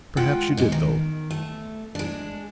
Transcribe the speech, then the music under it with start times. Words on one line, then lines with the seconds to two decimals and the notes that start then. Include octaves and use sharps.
Perhaps you did, though.'
0.17 G#3 F4 F#5 G5
0.57 A#2 G#3
0.72 D#3
1.31 A3
1.95 G#3 D4